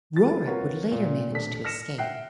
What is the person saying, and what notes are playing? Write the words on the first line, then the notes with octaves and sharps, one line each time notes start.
Rorik would later manage to escape.
A6
C4 F4 F#4 A#4 B4 C#5
A#2
D#1 A3 D4 A4 B6
F6 A#6 C#7 E7
E5 F#5 G5 F#6 C7